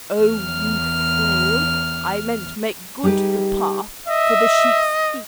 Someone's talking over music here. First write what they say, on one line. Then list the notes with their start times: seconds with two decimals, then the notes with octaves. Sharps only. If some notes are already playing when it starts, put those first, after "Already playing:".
"Oh, you fool, I meant make good the path for the sheep's feet."
0.21 E2 F6
3.03 G3 D#4 G4 G#4 B4
4.09 D#5 E5